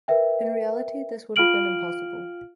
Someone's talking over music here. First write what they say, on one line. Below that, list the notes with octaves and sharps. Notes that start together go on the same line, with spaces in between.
In reality this would have been impossible.
A#4 B4 E5 G5
F4 F5 G5 F6 D7 F#7